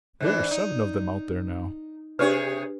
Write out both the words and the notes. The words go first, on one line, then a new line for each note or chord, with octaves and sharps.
"There are seven of them out there now."
G#2 E3 D4
D#4
C3 D4 G4 G#4 B4 C#5